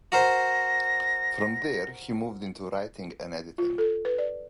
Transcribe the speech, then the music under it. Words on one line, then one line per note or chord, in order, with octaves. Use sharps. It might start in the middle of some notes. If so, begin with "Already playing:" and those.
From there, he moved into writing and editing.
F#4 A#4 C5 A#6
F4
A4
B4
D5